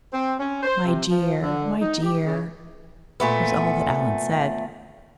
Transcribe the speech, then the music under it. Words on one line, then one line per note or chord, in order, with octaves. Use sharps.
"My dear, my dear!" was all that Allan said.
C4
C#4
C5
C3
F3
D3
D#4
G4
C#3
A#2 A3 B3